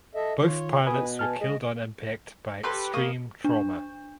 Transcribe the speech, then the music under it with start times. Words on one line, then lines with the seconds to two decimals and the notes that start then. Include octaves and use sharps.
Both pilots were killed on impact by extreme trauma.
0.15 A4 D#5 E5
0.42 D#3 F4 C#5
0.86 B2 B4 G#5 B5 D#6
1.19 G#5 A5 F6
1.41 G#3 G#4 D#5
2.63 G4 A4 B4 C6
2.94 A#3 C#6 D#6
3.45 D4